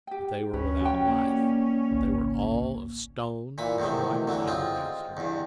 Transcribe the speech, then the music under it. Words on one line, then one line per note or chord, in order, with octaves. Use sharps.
But they were without life--they were all of stone as white as alabaster.
G4 G5
D2 C#4 B4
F3 F#4 G5
A#3 D5
G#1 C#2
A#2 E3 B5
E2 A2 C3 D#3
D3 E3 F#3
G#3 C4 F4
E2 G2